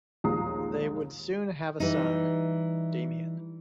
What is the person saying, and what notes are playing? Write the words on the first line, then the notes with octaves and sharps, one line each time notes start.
They would soon have a son, Damian.
A#1 D#2 G#3 A#5 D#6 C7
E3 G3 D#4